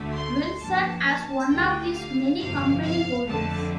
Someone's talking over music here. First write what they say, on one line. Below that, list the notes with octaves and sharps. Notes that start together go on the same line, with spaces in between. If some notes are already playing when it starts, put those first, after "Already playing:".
Wilson as one of his many company holdings.
Already playing: D2 D3 A3
C6
G2 F3 A#3 A5
A5
D2 D3 G3 G5
F5
G1 F2 C3 F5
F5
F2 D3 A3 A5